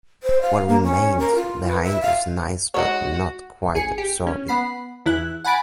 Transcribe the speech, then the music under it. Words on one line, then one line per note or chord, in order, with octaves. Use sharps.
What remained behind is nice but not quite absorbing.
C5
F5
A#3
C#4
A#4
F4
B4
E5
F5
G#3 D#4 F#4 C#5
A1 G#4 G#5 C#7
G4
C#4
B3 F#5 B5 C7
E2 E4 F#6
F#5 G#5 B5 A6 D7